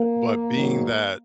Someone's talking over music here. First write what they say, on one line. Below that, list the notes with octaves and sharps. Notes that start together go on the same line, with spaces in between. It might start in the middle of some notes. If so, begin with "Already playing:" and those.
but being that
Already playing: A#3
G#2 D#3 F#3